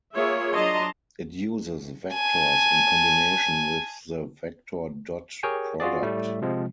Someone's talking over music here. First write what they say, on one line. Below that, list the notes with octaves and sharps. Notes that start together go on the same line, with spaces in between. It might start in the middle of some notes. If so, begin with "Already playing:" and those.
It uses vectors in combination with the vector dot product.
A#3 F4 G#4 C#5 E5
F#3 D4 D#5 A5 A#5 C6
G#5 A5
G4 G#4 A#4 C#5 G5 G#5
F4 F#4 G#4 D5
A2 G3 A3
C3 F3 G#3 C4